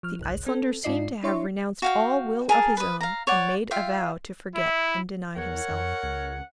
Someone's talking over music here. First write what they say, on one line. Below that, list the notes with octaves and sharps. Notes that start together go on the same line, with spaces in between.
The Icelander seemed to have renounced all will of his own and made a vow to forget and deny himself.
F3 F6
G1 C2 F#6
C4 A4
G#2 D#4 F4 D5 D#5 C7
D4 E4 C#5 E5 C6 C#6
F#4 F5 G5
G#4 A#4 A5
B4 D#6
F5 A#5
C#5 D5 F#5
F4 E5 F5 G5
E4
E2 A#4 C#5 F#5
F2
C#2